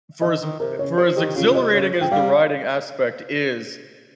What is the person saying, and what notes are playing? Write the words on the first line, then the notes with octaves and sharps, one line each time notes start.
for as for as exhilarating as the riding aspect is,
D#3 D#5
D#3
C3 A#4
C#3 C#5
F3 C5
D#3 G4
C#3 F4
C#3
C3 D#5
C#3 C#5
F3
G5
G3 F5